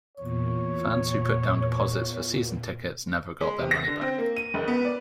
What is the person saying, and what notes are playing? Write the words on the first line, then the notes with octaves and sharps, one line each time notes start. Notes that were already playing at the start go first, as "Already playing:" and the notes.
Fans who put down deposits for season tickets never got their money back.
E2 A#2 C#5
G#3
C3
A#6
D3
C4
A#3
D#7
F#1
B3
D5